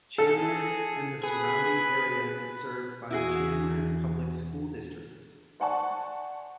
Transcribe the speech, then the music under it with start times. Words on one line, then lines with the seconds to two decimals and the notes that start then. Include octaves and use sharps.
Chandler and the surrounding area is served by the Chandler Public School District.
0.18 G#4 A4
1.24 G#4 B4
3.10 E2 E3 E4 F#4 G#4
5.60 C5 D5 F#5 G#5 A5 C#6